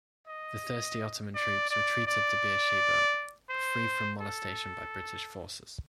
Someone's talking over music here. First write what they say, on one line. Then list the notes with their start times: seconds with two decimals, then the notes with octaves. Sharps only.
The thirsty Ottoman troops retreated to Beersheba, free from molestation by British forces.
0.28 D#5
1.35 D5
1.70 D5
2.07 D5
3.50 C5
4.21 A4